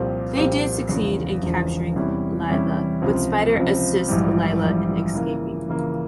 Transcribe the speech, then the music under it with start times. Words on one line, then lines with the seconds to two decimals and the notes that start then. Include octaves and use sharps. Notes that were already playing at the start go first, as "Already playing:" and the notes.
They did succeed in capturing Lila, but Spyder assists Lila in escaping.
Already playing: C2 A#2 F3 C4 G4
0.36 C2 A#2 F3 C4 G4
0.89 E1 E2 C#3 F3
1.43 E1 E2 C#3 F3
1.95 E2 C3 G3 C#4 E4
2.50 E2 C3 G3 C#4 E4
3.02 C#2 C3 F3
3.55 C#2 C3 F3
4.08 A#1 G#2 E3 G3
4.62 A#1 G#2 E3 G3
5.15 C#3 E3 A#3
5.68 C#3 E3 A#3